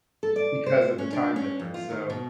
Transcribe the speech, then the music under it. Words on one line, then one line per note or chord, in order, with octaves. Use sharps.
because of the time difference, so,
A4
D5
C5
C#4
D4
C#4
F2
F4
D#3
B2